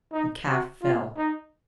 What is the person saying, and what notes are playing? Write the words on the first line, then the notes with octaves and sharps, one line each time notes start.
The calf fell.
D#4
F#4
F4
D#4